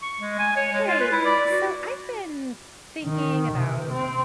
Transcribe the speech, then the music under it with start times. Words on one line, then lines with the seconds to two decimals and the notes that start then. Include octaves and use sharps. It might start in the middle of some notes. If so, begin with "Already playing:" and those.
Hey. So I've been thinking about
0.02 C#6
0.18 G#3
0.39 G#5
0.56 C#5
0.72 G#3
0.88 F4
0.99 B4
1.12 E4
1.25 D5
1.50 F#4
3.03 D#3
3.52 C3
3.91 C4